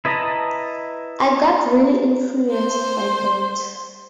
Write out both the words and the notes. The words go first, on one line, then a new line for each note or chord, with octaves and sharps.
I got really influenced by that.
E4 B4 D#5 A5 A#5
C5 C6